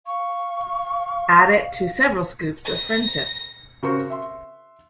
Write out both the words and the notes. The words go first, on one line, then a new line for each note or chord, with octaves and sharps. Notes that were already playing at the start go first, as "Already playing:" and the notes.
Add to it several scoops of friendship.
F5 C#6
A#6
C#3 F#4 A#4 C5 C#6
E5 C6